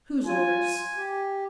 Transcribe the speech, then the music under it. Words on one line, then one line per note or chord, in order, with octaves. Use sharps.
"Whose orders?"
F4 G#5
G4